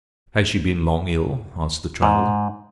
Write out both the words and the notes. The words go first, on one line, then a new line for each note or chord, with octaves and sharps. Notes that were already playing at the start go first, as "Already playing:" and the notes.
"Has she been long ill?" asked the traveller.
G#2